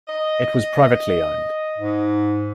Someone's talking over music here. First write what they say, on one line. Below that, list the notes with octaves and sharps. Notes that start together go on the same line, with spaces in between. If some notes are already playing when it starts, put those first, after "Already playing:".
It was privately owned.
D#5
G#2